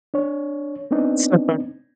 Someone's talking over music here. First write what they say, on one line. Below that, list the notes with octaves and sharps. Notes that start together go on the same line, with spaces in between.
So far.
D4 C#5
B3 C4 D4 D#4